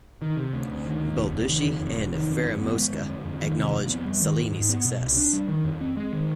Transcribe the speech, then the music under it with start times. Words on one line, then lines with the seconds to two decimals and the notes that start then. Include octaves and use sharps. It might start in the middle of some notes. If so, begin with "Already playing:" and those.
Balducci and Fieramosca acknowledge Cellini's success.
0.22 D#3
0.37 C3
0.53 D2
0.70 D2
0.85 D#3
1.02 D#2
1.17 F1
1.34 F1
1.49 D#3
1.65 F2
1.81 F1
1.97 F1
2.13 D#3
2.29 F2
2.45 G1
2.61 B3
2.77 G#3
2.93 D3
3.09 F2
3.25 F2
3.41 D#3
3.57 C3
3.73 F2
3.89 B3
4.05 G3
4.21 D#3
4.37 G#2
4.53 G#2
4.69 B3
4.85 B2
5.01 C2
5.17 D4
5.33 G3
5.48 D#3
5.65 F2
5.81 C4
5.97 G#3
6.13 D#3